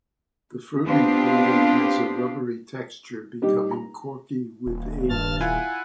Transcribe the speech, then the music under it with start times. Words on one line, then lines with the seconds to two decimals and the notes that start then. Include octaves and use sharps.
The fruiting body has a rubbery texture, becoming corky with age.
0.85 B3 C4 D4 F4 G4 C5
3.42 G3 D#4 G4
3.71 A#5
4.66 D#1
5.10 G2 A5 F6 A6
5.41 E4 F4 F#5 G#5